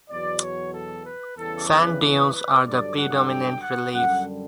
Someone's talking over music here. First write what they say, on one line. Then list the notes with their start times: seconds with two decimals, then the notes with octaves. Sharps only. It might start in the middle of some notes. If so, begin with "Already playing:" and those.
Sand dunes are the predominant relief.
0.10 E2 B2 F#3 D5
0.42 C#5
0.74 A4
1.06 B4
1.37 E2 C#3 E3 G3 A4
1.69 B4
2.01 B4
2.34 B4
2.65 G2 D3 F#3 D5
2.98 F#5
3.29 G5
3.62 F#5
3.93 F#2 D3 G3 F#5